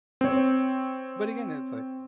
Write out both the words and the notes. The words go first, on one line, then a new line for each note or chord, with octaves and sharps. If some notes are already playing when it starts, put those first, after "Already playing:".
But again, it's like
C4 C#5